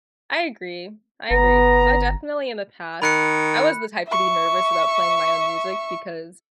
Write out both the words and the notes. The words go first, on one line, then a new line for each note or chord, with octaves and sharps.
I agree. I agree. 'Cause I definitely, in the past I was the type to be nervous about playing my own music, because
G1 B3 A#5
D#3 B5 F#6 C#7
E5 C#6